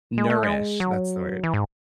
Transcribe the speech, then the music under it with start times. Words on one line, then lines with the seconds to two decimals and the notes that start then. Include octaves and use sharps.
nourish, that's the word,
0.18 G#3
0.30 A3
0.43 G#3
0.80 F#3
1.43 E3
1.54 G#2